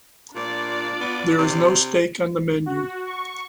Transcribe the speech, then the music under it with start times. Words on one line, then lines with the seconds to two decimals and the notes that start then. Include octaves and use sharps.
There is no steak on the menu.
0.35 A#2 D4 F4 D5
1.00 B3
1.38 C3
2.66 F#4
3.06 C#6